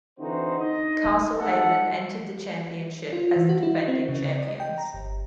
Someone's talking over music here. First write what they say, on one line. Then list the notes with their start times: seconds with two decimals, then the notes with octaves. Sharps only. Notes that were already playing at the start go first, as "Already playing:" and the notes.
Castlehaven entered the championship as the defending champions.
0.19 D3 E3 C4 D#4 F#4 C5
0.58 D#4 D#5
1.38 G#1 D#3 G#3 A4 F#5
3.13 F4
3.36 E3
3.49 F#4
3.63 E4
3.88 C4
4.09 C#3
4.29 D5
4.43 D#5
4.60 G5
4.78 A#5
4.94 G1